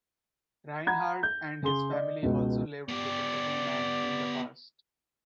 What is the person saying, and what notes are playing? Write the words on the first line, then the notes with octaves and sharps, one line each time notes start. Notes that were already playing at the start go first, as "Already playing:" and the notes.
Reinhardt and his family also lived with a second man in the past.
F#5 A#5 B5 G#6
G6
C#3 G#4 C6 G7
D5 D#5
C#2 B2
B3 G4 D5